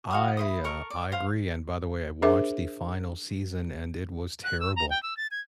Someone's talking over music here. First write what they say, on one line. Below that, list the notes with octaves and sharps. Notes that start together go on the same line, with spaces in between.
I, uh, I agree, and by the way, I watched the final season and it was terrible.
F#4 F5 D#6
E4 C5 D#6
A4 A#4 C#6
D5
C5 F5
D4 G#4 A#4 C5 E5 D6
F#6
E6
A#5
G5
E6
A6
G#6